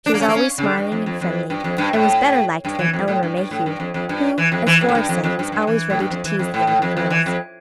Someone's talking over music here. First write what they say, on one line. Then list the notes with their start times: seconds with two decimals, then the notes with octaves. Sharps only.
She was always smiling and friendly, and was better liked than Elinor Mayhew, who, as Flora said, was always ready to tease the younger girls.
0.06 D4
0.14 A#3
0.21 C#4
0.28 A#3
0.35 C#4
0.58 C#3
0.64 D3
0.78 G2
0.92 F2
1.06 F2
1.21 F2
1.50 G2
1.64 F2
1.78 G2
1.94 A2
2.65 G2
2.79 E3
2.93 F2
3.08 A2
3.23 G2
3.37 G2
3.51 A2
3.66 G2
3.80 F2
3.94 F2
4.09 G2
4.38 E3
4.52 F2
4.67 E3
4.81 F2
4.89 A2
4.95 G2
5.09 F2
5.24 F2
5.39 G2
5.52 G2
5.67 E3
5.90 A2
6.00 G2
6.10 F2
6.25 E3
6.39 F2
6.54 A2
6.67 A2
6.82 F2
6.97 F2
7.10 E3
7.26 F2